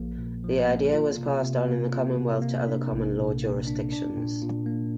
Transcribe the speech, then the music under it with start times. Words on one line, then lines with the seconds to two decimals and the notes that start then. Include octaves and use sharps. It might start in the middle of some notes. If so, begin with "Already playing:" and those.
This idea was passed on in the Commonwealth to other common law jurisdictions.
Already playing: A#1 F3 A#3
0.18 A#2
0.44 F3
0.68 A#3
0.93 F4
1.18 C3
1.43 C3
1.68 A#3
1.92 F4
2.17 C3
2.42 A#3
2.67 D4
2.92 A#1
3.17 A#2
3.42 A#3
3.67 D4
3.92 D4
4.17 A#2
4.42 A#2
4.66 A#3